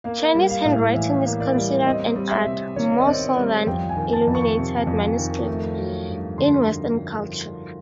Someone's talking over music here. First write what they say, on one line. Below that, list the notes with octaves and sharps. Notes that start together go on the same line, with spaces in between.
Chinese handwriting is considered an art, more so than illuminated manuscripts in Western culture.
A#3 F5
G3
F5
A2
E3 E5
A#3
D5
G3
C4 D#5
G3
E5
C3
D#3 C#5
D#5
C4 D5
G3 D5
F2 G5
G#5
D#3
A5
F2
C#6
C3
F2
D#3
A3
F#3
G2
D3 C6